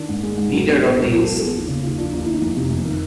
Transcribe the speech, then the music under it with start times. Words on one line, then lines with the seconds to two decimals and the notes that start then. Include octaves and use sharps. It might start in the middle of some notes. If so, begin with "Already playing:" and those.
Neither of these.
Already playing: D#3 D4
0.09 G#2
0.23 G#3
0.37 G#2
0.52 F#3
0.66 B3
0.80 B2 A4
0.95 C#2 A#4
1.10 F#3 A#4
1.24 B3 A4
1.39 F3 G#4
1.54 D#2
1.68 C#3
1.84 D#2 F4
1.98 F3 D4
2.12 D#2 D#4
2.24 D#3 E4
2.34 D#4
2.42 F2
2.56 C3
2.71 F2
2.85 D#3